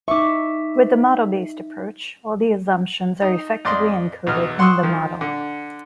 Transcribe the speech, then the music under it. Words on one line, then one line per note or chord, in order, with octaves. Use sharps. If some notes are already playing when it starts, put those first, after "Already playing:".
With the model-based approach, all the assumptions are effectively encoded in the model.
D#4 E5 C#6 D6
D#4
F2 D5 D#5 C6
B1 E2 D#5 F6
F#5 C6 C#6 D#6 E6 F#6
D#3 F3
D3